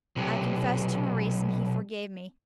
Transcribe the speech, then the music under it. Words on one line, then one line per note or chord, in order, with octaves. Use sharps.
I confessed to Maurice, and he forgave me.
B1 C3